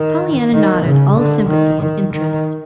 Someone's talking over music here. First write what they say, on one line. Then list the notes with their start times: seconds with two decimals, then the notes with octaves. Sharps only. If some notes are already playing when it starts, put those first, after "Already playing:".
Pollyanna nodded, all sympathy and interest.
Already playing: D#3
0.53 D#3
0.84 C#3
1.17 D3
1.49 D#3
1.81 D#3
2.14 D#3